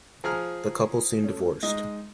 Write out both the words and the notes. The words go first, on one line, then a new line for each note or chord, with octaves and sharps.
The couple soon divorced.
F3 G#4 A#5 F6
A3 C#4
G#3 D#4 D#5